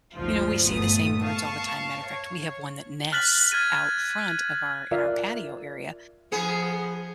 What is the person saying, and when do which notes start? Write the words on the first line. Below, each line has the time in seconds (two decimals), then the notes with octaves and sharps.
You know, we see the same birds all the time, matter of fact, we have one that nests out front of our in our patio area,
0.14 G1 D2 D#3 F3 F4
0.66 G1 A#2 A3 B3 D#6
1.22 F5 A5 C#6
2.06 C#5
3.12 F6 F#6 A6 B6 F#7
3.52 F6 G#6 A6 D#7
4.91 F4 A#4 D5 E5 F5
6.32 F3 B3 G#4